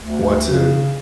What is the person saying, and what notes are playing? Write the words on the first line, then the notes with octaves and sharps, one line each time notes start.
want to
D2
C#3